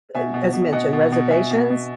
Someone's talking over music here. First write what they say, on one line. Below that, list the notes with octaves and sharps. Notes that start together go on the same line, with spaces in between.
uh, as you mentioned, reservations.
B2 E5 G#5
B2
B2
B2 D#5 F#5
B2
B2
B2 E5 G#5
B2
B2